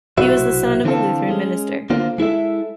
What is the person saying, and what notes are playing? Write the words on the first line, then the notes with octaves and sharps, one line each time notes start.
He was the son of a Lutheran minister.
B1 C3 E4 F#4 C5 E5
D3 E3 C4 D#4 F4 A4
G#3 C#4
D3 A#3 F4 C5
G#3 E4 A4 E5